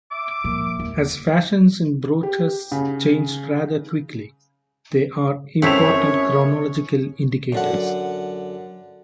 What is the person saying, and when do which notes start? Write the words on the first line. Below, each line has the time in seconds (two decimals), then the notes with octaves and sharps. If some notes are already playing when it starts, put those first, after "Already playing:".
As fashions in brooches changed rather quickly, they are important chronological indicators.
0.12 E5 D6
0.44 A#2 F3
0.79 D#2
2.23 G4
2.72 C#3
5.62 F#2 A3 C4 E4 C#5 F7
7.52 F#2 D3 F#5